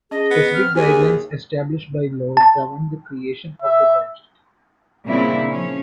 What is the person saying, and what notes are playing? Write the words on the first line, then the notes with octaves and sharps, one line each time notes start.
Specific guidelines established by law govern the creation of the budget.
C#4 G#4 D#5
B3
C4 F6
D#2 G4 G#4 G#5
G4
A5
E5
A#2 C#3 G3 C4 D4 E4
F3 C#4